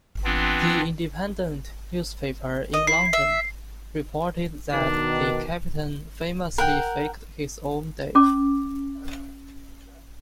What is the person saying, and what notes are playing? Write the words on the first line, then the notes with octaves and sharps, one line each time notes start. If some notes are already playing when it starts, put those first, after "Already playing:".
The Independent newspaper in London reported that the Captain famously faked his own death.
E3 B3 C4 D4 F4
D#5
E4 C7
E5
B2 D#3 D4
A#4 F#5 G5
C#4 D6